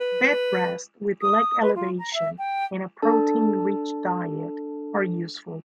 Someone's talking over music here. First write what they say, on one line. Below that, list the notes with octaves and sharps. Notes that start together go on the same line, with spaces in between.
Bed rest with leg elevation and a protein-rich diet are useful.
B4
D#6
B4
F4
A#5
E5
G5
D4 A4 A5